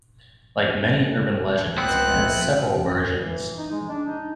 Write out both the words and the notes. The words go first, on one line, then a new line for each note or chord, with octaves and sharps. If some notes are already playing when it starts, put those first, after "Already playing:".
Like many urban legends, it has several versions.
C#2 B3 C4 F#6
F2 A#2 A3
E3
D#4
G#3
D4
D#4